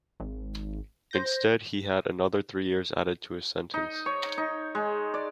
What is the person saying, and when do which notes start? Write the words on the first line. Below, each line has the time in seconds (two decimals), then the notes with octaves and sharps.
Instead, he had another three years added to his sentence.
0.20 G#1
1.11 C5 G6 A#6
3.74 D#4
4.06 C#5
4.38 D#4
4.75 G#3
5.14 D5